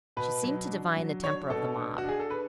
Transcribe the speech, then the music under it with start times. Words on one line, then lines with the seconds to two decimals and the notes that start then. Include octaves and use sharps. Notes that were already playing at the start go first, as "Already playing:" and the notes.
She seemed to divine the temper of the mob.
0.17 B2 B4
0.44 F#3
0.70 D4
0.97 F#3
1.23 D4 C#5
1.50 B2 A4
1.77 D4
1.98 F#4
2.03 D4
2.09 G#4
2.19 A4
2.30 B4